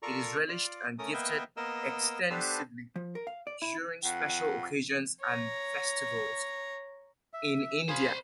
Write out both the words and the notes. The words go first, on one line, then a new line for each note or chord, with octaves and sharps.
It is relished and gifted extensively during special occasions and festivals in India.
F4 A4 A#4 D5 A#5 C#6
F4 D5
A3 C#4 A#4 D#6
A#3 B3 B4 D#5 E5 G5
A#3 B3 A#4 D#5 E6
B3 D4 G4 A4 B4 C5
F3
A#4
F5
D5
E4
F2 F#5
C#5 A#5
E5
F4 G#4 C5 G#5 B5